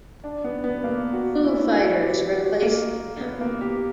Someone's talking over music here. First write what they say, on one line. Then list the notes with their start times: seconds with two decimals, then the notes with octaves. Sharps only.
Foo Fighters replaced them.
0.24 D4
0.44 B3
0.64 B3
0.84 A#3
1.13 F#4
1.44 E4
1.64 E4
1.73 F#4
2.02 G4
2.33 F#4
2.62 A#3
3.21 B3
3.41 A#3
3.61 G4